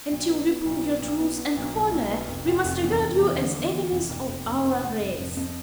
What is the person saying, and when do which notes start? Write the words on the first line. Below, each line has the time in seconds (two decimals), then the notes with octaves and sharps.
Until we prove your truth and honor we must regard you as enemies of our race.
0.11 B1
0.29 B3
0.47 B3
0.65 B1
0.84 B3
1.01 B1
1.19 B3
1.38 B3
1.56 B1
1.74 B1
1.92 B1
2.10 B3
2.28 F1
2.46 F1
2.65 F1
2.83 E2
3.00 F1
3.19 E2
3.37 D3
3.55 E2
3.74 E2
3.92 F1
4.09 F1
4.28 F1
4.46 F1
4.64 F1
4.82 F1
5.00 F1
5.19 F2
5.37 F2